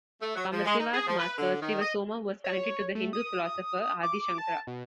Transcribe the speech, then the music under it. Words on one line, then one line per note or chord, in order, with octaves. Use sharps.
Vamasiva's master, Sivasoma, was connected to the Hindu philosopher Adi Shankara.
A3
F#3
F3
G#3
D#4
G#4
F3
B4
D3
D#3
D#5
C#5
A3
D#6
D6
A5
B2